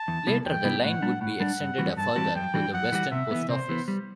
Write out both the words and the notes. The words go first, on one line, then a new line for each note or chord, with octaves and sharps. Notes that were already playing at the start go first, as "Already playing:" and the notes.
Later, the line would be extended a further to the Weston post office.
Already playing: A5
E2
C3 G3 B3 E4
E2 G5
C3 G3 B3 E4
A2 F#5
G3 D4
A2 F#5
G3 D4
G2
E3 G3 C4 F#4
G2 A5
E3 G3 C4 F#4
F#2 G5
E3 G3 D4 F#4
F#2 F#5
E3 G3 D4 F#4
C3 E5
E3 B3
C3 C5
E3 B3
G3